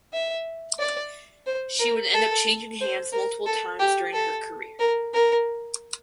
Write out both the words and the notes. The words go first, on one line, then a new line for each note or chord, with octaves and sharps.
She would end up changing hands multiple times during her career.
E5
D5
C5
A#4
A4
C5
A#4
A4
G4
A4
A#4
A#4